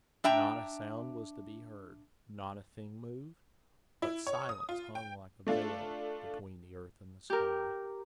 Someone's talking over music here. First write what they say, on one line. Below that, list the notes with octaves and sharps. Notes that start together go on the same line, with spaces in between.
Not a sound was to be heard, not a thing moved, but silence hung like a veil between the earth and the sky.
D4 E5 G5 A#5
E4
C#5
D#6
F4
G5
A3 D4 F4 A4
G4 A#4